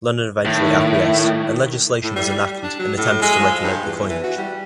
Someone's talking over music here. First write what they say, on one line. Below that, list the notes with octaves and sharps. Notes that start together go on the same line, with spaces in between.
London eventually acquiesced and legislation was enacted in attempts to regulate the coinage.
A2 D#3
A2
G3
D4
F#3
A2
G#3
F3
G2
E2
E3
F#4
G3